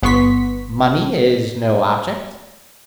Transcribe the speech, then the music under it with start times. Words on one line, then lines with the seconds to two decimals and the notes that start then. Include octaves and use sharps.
"Money is no object?"
0.02 G1 B3 C6 C#6 B6